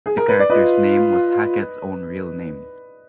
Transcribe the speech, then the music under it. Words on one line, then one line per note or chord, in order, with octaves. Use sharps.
The character's name was Hackett's own real name.
G#4
A#4
B4
D5
F4 B4 D#5